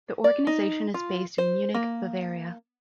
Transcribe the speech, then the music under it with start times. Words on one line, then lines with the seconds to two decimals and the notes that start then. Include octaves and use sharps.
The organization is based in Munich, Bavaria.
0.24 D5
0.47 D#4
0.94 F4
1.38 C5
1.74 A#3